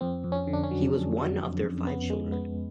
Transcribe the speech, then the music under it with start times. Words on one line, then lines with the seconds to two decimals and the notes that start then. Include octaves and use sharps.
He was one of their five children.
0.01 F2 C4
0.24 F2
0.32 C#4
0.47 D3
0.53 D4
0.63 C#4
0.71 F#3
0.94 F2
1.17 F#3
1.40 F2
1.64 F2
1.87 B3
2.10 G#3
2.32 B3